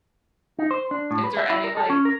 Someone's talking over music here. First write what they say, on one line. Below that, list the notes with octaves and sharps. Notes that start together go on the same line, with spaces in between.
Is there any, like
D#4
C5
D4
A2
B4
E5
E4
A#4
A4
C#4
A#4